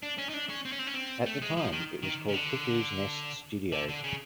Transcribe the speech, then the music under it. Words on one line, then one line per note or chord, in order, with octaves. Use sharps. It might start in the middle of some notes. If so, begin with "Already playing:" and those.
At the time, it was called Cuckoo's Nest Studio.
D4
C#4
D#4
D4
C#4
C4
C#4
C4
C#4
C4
A3
G#3
F3
D#3
D#3
C#3
D3
D3
D3
C#3